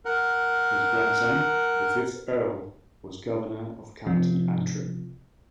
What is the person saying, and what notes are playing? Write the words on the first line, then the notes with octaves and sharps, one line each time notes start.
His grandson, the fifth Earl, was Governor of County Antrim.
A#4 F#5
C3 F3